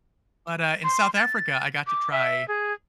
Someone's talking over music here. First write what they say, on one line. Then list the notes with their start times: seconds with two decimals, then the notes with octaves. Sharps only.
But, uh, in South Africa, I got to try
0.84 C6
1.16 A6
1.87 D6
2.11 E5
2.48 G#4